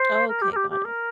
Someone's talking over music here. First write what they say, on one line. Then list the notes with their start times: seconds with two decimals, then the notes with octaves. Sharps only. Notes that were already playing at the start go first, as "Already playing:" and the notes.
Okay, got it.
Already playing: C5
0.28 A#4
0.41 G4
0.52 A#4
0.56 G4
0.70 G4
0.84 A#4